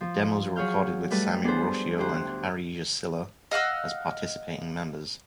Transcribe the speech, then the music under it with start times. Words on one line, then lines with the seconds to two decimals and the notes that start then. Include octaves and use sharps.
The demos were recorded with Sami Rautio and Harri Jussila as participating members.
0.01 F3
0.56 F#3 G#4 C#5 F5 F6 G6
1.11 G3 A3 A4 B4
1.44 B3 D4 G#4 A4 B4 C5
1.98 D2 G4 C5 F#6
3.51 D#5 F5 F#5 E6